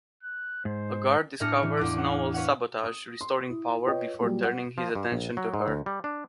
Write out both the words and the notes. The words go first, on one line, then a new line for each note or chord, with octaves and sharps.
A guard discovers Noel's sabotage, restoring power before turning his attention to her.
F#6
G#2 C5
A2 D4 G#4 F6 A#6 C#7
E3 A3
E2 F4 D6
F#5
B4 C#5 F5 F#5
D#6
C6
E4
F4 B4 C#5 D#5 G5
A#2 F#3 G3
F#5
F3
G2
A#1
F#3
G#2
D2
G3
D4